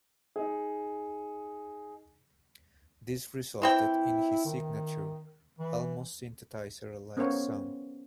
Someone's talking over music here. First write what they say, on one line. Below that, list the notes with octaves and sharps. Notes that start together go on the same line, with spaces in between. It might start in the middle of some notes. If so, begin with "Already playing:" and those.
This resulted in his signature, almost synthesizer-like sound.
D#4 G#4
E3 C4 E4 G5
D#3
E3
B3 C#4 A#4 C5 C#5 F5